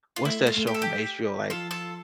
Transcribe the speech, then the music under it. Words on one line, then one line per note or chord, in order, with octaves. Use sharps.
what's that show from HBO, like
F4
A3 E4
F4
A3
G4
A4
G4
F3 F4 A4
F4 A4